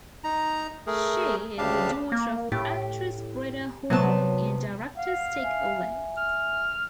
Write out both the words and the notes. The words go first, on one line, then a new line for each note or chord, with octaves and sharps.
She is the daughter of actress Britta Holmberg and director Stig Olin.
D#4 A#5
A3 G#4 A#4
D2 C#3 D4 G4 F5 A5
A#3
A2 G4
C3 F#3 B3 A5
F5 F#5
E5 G#5
F6